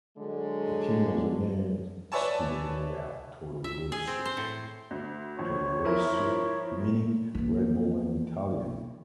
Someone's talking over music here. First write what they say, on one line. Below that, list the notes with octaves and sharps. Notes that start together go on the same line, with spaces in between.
The team was renamed "Scuderia Toro Rosso", "Toro Rosso" meaning Red Bull in Italian.
D3 F#3 G#3
B4 C#5 D5 E5 G#5 A5
E5
G#4
C4
C5
A2
D2
A#1 C#5
F3 E4 A#4
E3 A#3